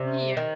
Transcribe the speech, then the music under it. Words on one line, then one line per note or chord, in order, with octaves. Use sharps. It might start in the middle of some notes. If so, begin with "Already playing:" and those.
Mm. Yeah,
Already playing: C3
D#3